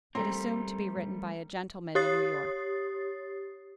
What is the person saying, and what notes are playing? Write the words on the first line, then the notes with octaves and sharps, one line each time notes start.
It assumed to be written by a gentleman in New York.
G3 A3 A#3 C4 A4 A#5 C6
G4 C#5 D#6 A6 C7